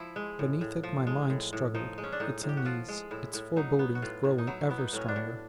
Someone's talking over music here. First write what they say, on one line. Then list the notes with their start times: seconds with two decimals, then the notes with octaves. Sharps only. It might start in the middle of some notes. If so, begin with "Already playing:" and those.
Beneath it my mind struggled, its unease, its forebodings growing ever stronger.
Already playing: F3 E4
0.16 G#3
0.39 A2
0.61 A2
0.83 F3
1.07 G#3
1.30 A2
1.53 A2
1.75 F3 D#4
1.98 G#3
2.04 C#4
2.12 D4
2.20 A2 D#4
2.43 A2
2.49 G4
2.57 F#4
2.65 F3 F4
2.88 G#3
3.11 A2 E4
3.34 A2
3.56 F#3 D#4
3.79 B3
3.95 F#4
4.02 A2 F4
4.24 A2
4.38 D#4
4.47 F#3 E4
4.70 B3 E4
4.78 D#4
4.93 A2 C#4
5.08 D4
5.16 A2